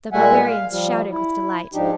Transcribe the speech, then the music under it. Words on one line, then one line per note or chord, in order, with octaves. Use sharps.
The barbarians shouted with delight.
A#2 G3 G#3 E5 F#5 G#5
F5
F3 G3
E4
G#2 F3 D4 D#4 G4